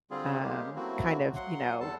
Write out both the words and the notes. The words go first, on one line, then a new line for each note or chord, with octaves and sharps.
um, kind of, you know,
D3 G3 C4 F4 G#4
G#3 A#3 C#4 G4
F#3 A3 A#3 C4 E4 F#4
F#3 F#5 C6
E2 G3 A4 A5